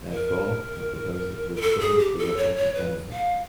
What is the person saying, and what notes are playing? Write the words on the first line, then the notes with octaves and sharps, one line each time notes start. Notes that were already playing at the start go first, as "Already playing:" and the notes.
Therefore, I propose that you withdraw it for the reporter’s benefit.
A#4
A#4
A4
G#4
G4
A4
C#5
C#5
B4
F5